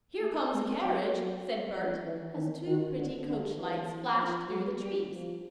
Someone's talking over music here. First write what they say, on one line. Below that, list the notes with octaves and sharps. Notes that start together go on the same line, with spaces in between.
"Here comes a carriage," said Bert, as two pretty coach lights flashed through the trees.
A3
G#3
F#3
F#3
F3
E3
D#3
D#3
D3
D3
E3
F3
F#3
G3
F3